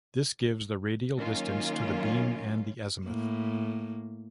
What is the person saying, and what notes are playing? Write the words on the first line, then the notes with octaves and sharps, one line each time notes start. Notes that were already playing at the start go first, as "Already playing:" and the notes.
This gives the radial distance to the beam and the azimuth.
D#3 F#3 A#3 C#4 F4
A2 A#3